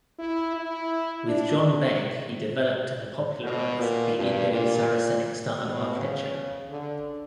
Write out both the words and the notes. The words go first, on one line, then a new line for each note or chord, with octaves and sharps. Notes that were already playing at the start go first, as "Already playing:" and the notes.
With John Begg he developed and popularised the Indo-Saracenic style in architecture.
E4
E4
D4
B2
A#2
G2
A#2
B2
C#3
D3